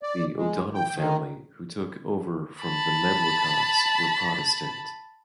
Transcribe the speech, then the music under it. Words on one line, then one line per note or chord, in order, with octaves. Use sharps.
The O'Donel family, who took over from the Medlycotts, were Protestant.
D5
G#3
G5
D#3
A5 B5